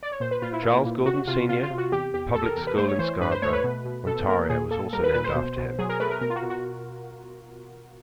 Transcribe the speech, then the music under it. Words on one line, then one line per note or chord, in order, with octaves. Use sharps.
Charles Gordon Senior Public School in Scarborough, Ontario was also named after him.
D5
C#5
A#2 C5
B4
A#2 F4
E4
A#3
A#2
C3 F#4
C3 F4
C3 F4
F4
C3
F#4
E2 G4
E2 G4
E2 A4
A#4
E2 A#4
B4
A3 C5
C#5
E3 C5
G2 B4
C5
A3 C#5
B4
B2
B2
B2 A4
A#3 A#4
A#2 G#4
A#3 A4
G3 A#4
B4
A#2 B4
C5
B2
B2
F#3 G#4
A#4
A3 B4
A#4
B2 A#4
F4
F#4
B2
F#4